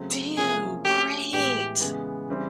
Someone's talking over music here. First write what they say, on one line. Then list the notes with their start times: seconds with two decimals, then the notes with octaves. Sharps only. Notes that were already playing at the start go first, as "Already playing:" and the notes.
Do you? Great!
Already playing: C#3 F#3 A3 C4
0.37 C3 F3 A#3 C#4 E4 G#4
0.85 A3 C#4 F#4 G4 A4 C#5
1.33 A2 E3 G#3 B3 G4
1.80 C#3 E3 G#3 B3
2.29 C#3 E3 G3 C4